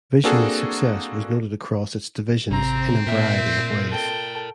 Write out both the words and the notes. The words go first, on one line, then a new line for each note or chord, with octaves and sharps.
Vision's success was noted across its divisions in a variety of ways.
A#3 C4 D4 F#4 G#4 A4
G#1 C3 C4 A#5
A#2 A#4 D5 E5
A4 G5